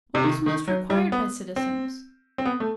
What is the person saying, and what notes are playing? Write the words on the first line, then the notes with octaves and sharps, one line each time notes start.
What was most required by citizens?
C3
D#3
D#3
F#3
G3
B3
C4
C4
B3
A3